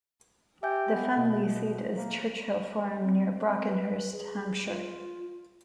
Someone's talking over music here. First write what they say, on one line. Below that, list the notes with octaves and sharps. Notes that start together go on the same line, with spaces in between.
The family seat is Church Hill Farm, near Brockenhurst, Hampshire.
G4 E5 G#5 G6
B3
B2
A#3
C4
B4
G#4
F4